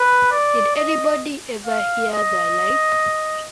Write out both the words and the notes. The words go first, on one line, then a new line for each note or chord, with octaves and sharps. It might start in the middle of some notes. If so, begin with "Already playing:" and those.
Did anybody ever hear the like!
Already playing: B4
D5
D#5
F5
D#5